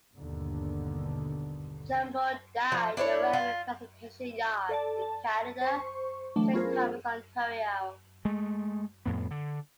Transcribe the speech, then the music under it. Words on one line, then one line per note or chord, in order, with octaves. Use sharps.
Jumbo died at a railway classification yard in Canada at Saint Thomas, Ontario.
G1 D#2 B2 D3
F3
D4 E4 C5 C#5
F4
A4 D5 A5
A5
C5 C#6
E3 F#3 A3 D4
B3 C#4 F4 G#4 A#4 C5
G#3 A3
F2 A2 B3
D3